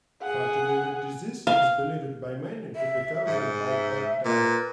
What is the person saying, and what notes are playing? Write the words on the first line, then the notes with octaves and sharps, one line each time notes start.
Fatty liver disease is believed by many to be caused by bad diet.
G#4 F#5
F5
E5
G#2
E5
A#2 B4